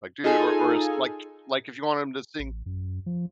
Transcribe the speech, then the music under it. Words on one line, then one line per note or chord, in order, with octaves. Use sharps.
like, dude or or it's like like if you want him to sing
D#4 F4 G#4 A4 G#5
A1
F#2
F3